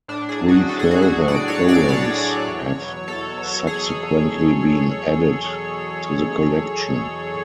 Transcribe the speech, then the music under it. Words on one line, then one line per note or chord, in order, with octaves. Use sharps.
Three further poems have subsequently been added to the collection.
A2 D4
G#4
F#3
F#4
A2 A4
G#4
F#4
F#3 G#4
A2 D5
C#5
F#3
D5
A2 C#5
F#3
E2
B2 F#3
E2 A4
B2 F#3
G#4